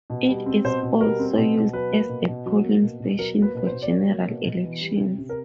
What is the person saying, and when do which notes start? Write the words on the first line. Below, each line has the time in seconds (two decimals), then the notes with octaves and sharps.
It is also used as a polling station for general elections.
0.10 B2
0.29 G3
0.46 C4
0.64 B2 C5
0.83 B2
1.01 G3 A#4
1.19 C4
1.37 B2
1.55 B2
1.73 F#3 B4
1.91 A#3
2.09 B2
2.28 B2
2.46 F#3
2.64 A#3
2.82 B2
3.00 B2
3.19 F#3 A#4
3.37 A#3
3.42 B4
3.55 B2 B4
3.67 C5
3.73 B2
3.82 D5
3.90 F#3 C#5
4.09 A#3
4.27 B2
4.45 B2
4.64 E3
4.81 G3
4.99 C3
5.18 C3
5.29 A#4